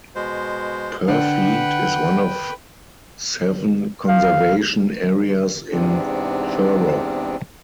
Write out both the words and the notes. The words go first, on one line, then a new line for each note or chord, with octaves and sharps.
Purfleet is one of seven conservation areas in Thurrock.
B2 G#3 C5
D3 B4 F#5 G5 B5
F5
E2 G#2 C3 B3 C4 D4